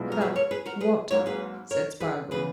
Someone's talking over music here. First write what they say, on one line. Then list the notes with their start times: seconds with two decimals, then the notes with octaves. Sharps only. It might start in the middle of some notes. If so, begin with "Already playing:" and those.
"About--what?" said Spargo.
Already playing: B1 A#2 G#3 B3 E4
0.12 A#4
0.21 G#4 B4
0.36 A#4 C#5
0.51 G#4 B4
0.66 F#4 A#4
0.81 G#4 B4
1.11 G#1 G#2 F#3 A#3 A#4 C#5
1.26 G#4 B4
1.71 A#4 C#5
2.00 G#4 B4
2.31 C#3 E3 B3 G#4 B4